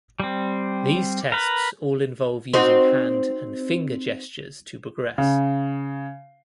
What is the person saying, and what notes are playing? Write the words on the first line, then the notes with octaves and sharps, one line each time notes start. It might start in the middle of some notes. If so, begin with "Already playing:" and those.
These tests all involve using hand and finger gestures to progress.
G3 C4
A#4 B4
C4 D#4 F#4
C#3